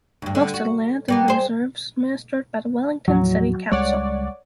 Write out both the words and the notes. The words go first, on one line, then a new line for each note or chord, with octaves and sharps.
Most of the land in the reserve is administered by the Wellington City Council.
D2 G2
D3
F#4
G3 A#3 B3
G#4 C5
D#2 A2 F3 F#3
C#2 G3 G#3 C#5 D5 F#5